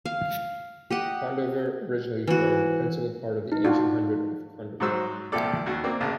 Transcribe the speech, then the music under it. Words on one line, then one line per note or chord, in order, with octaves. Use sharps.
Condover originally formed a principal part of the ancient Hundred of Condover.
F5
G4 D#5 F#5
E3 F#4
D#4
D4 F4 F#4
G#2 F#3 F#4 C5 E6
C2 A#2 F3 G4 A4 D5
D#2 F#4
A#3 C4 D5
A1 C#3 A5